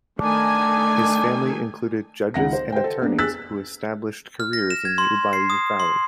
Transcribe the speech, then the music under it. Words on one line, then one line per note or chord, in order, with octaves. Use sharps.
His family included judges and attorneys who had established careers in the Ubaye Valley.
D#3 A3 D4 G#5
C#2 D#3 F#5 A#6
C5
C5 G5
A4
A#3 B3 D4
G#4 E6 F#6 A6 B6
F6
A#6
E7
G#6
C6
C7
D#6
C6